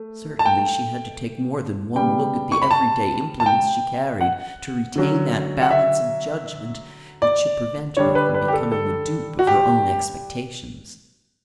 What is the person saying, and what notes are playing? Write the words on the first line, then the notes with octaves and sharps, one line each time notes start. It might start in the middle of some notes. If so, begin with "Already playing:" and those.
Certainly she had to take more than one look at the every-day implements she carried to retain that balance of judgment which should prevent her from becoming the dupe of her own expectations.
Already playing: A3
A5
G5
C#3 G3 B3 G5
C#6
B5
A5
A5
G5
F#5
D3 F#3 C#4
F#5
E5
D5
D3 G3 D4 C#5
B4
B4
G4
A4
A4
F#4
G4